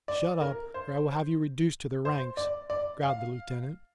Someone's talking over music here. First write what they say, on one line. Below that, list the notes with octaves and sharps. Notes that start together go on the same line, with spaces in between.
"Shut up, or I will have you reduced to the ranks," growled the Lieutenant.
D5
A#4
C5
C5
D5
D5
F5